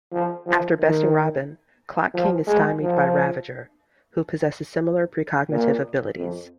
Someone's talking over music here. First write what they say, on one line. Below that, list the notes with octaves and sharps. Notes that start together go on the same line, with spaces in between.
After besting Robin, Clock King is stymied by Ravager, who possesses similar precognitive abilities.
F3
F3
D#3
F3
G#3
F3
A#2
F2